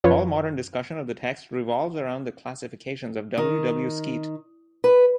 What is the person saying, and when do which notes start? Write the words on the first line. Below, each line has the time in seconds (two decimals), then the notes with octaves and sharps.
All modern discussion of the text revolves around the classifications of W. W. Skeat.
0.04 F#2 F3 F4 B4 C#5
3.38 D#3
4.84 B4